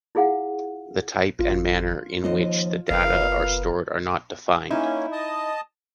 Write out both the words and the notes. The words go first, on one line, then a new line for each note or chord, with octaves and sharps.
The type and manner in which the data are stored are not defined.
E4 F4 G#4 F5 F#5
G#1 F4
D#2 F3 C5 D#5
F#1 B3 A#4 B4 F5
A#3 C#4 D#4 E4
D#5 A5 D#6